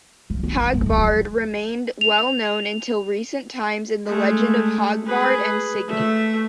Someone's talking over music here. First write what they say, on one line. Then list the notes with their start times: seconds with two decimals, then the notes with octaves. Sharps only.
Hagbard remained well-known until recent times in the legend of Hagbard and Signy.
0.30 F3
0.43 B3
0.56 D#3
0.74 G1
0.86 D1 E2
0.98 F#3
2.01 F7
4.05 G#3 A3
5.06 G#4 B4
5.87 A3 E5